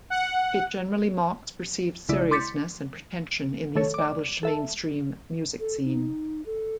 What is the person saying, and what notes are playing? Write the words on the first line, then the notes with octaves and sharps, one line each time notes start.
It generally mocks perceived seriousness and pretension in the established mainstream music scene.
F#5
B1 C#3 G#3 E4 D5
C6 D6 G6 A6 B6 C#7
D#3 A3 A4 C#5
D5 D6
A4 E5 A5
A4
D#4
A4